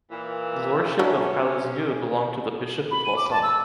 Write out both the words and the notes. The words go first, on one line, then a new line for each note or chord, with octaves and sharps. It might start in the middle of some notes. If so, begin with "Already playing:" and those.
The lordship of Palézieux belonged to the Bishop of Lausanne.
A#2 E3
F#3 C#4 D4 E4
B5
D#7
D6
A5
E6